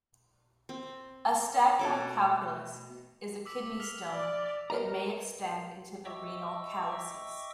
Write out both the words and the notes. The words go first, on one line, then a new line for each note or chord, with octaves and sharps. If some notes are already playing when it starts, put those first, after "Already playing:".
A "Staghorn calculus" is a kidney stone that may extend into the renal calyces.
C4
B2 A4 C#5 D6
A3
D6 E6 B6
F6 B6 F7
D5
A#4 B4 D#5 A#5
D#5 E5 G5 C#6 D6 E6